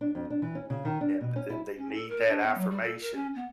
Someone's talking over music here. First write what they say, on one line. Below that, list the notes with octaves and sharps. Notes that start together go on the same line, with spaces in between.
and and they need that affirmation.
D4
F2
D4
E3
C#4
C#3
D#3
D4
B2
C#4
E4
C#4
A4
A#4
D4
B3
F#3
G3
A4
A#4
C#4
B3